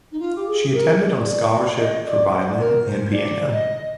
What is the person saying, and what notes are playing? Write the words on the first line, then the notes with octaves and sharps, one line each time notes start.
She attended on scholarship for violin and piano.
D#4
F4
G4
G#4
A#4
D5
D5
D5
D5
D#5
D5
D5
C5
D5
A#4
C5
D5
D#5